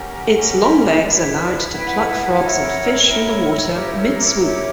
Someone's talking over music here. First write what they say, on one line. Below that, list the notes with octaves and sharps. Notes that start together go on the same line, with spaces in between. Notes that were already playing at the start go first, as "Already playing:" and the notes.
Its long legs allow it to pluck frogs and fish from the water mid-swoop.
Already playing: C#4 G4 A#4 F#5
C#4 G4 A#4
E4 B4 D5
D5
E4 B4 F#5 G5
F#5
E4 A#4 C#5
E4 A#4 C#5 G5
B5
E6
E4 G4 A#4 C#5 D6
E6
D6
E4 G4 A#4 C#5